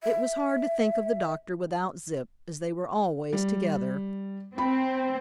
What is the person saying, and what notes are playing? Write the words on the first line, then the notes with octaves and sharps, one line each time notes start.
It was hard to think of the doctor without Zip, as they were always together.
E5
G3
C4 B5